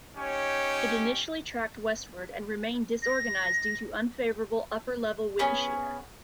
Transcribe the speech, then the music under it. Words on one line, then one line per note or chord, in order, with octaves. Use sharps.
It initially tracked westward and remained disorganized due to unfavourable upper-level wind shear.
C#4 D#4 G4 C#5
A#6
B3 C#4 G#4